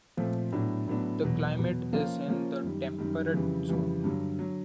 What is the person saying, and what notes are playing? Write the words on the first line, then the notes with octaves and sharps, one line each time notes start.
The climate is in the temperate zone.
A#2 F3 A3 C4
A2 F#3 B3 D4
A2 F#3 B3 D4
E2 B2 F#3
E2 B2 F#3
F3 A#3 C#4 F4
F3 A#3 C#4 F4
F#2 D#3 G3
F#2 D#3 G3
F2 C#3 E3 G3
F2 C#3 E3 G3
G2 D3 F#3
D3 F#3